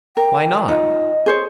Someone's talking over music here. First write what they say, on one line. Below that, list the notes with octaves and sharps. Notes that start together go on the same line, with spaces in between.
"Why not?"
A#4 G5
D#4 F4 D#5
G#4 C5 C#5